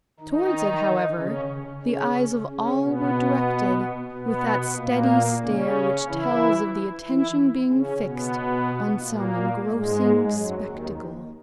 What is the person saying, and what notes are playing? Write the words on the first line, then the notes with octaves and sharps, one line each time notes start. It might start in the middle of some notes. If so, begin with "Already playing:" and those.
Towards it, however, the eyes of all were directed, with that steady stare which tells of the attention being fixed on some engrossing spectacle.
D#3 D#4
C#3 C#4
C#3 C#4
C#3 C#4
B2 B3
B2 B3
A#2 A#3
C#3 C#4
E3 E4
E3 E4
C#3 C#4
B2 B3
A#2 A#3
G#2 G#3
F#2 F#3
D#2 D#3